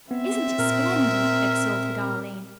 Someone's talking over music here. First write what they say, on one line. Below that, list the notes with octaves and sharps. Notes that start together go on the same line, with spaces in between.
"Isn't it splendid!" exulted Arline.
B3 C4 E5
A#2 A#4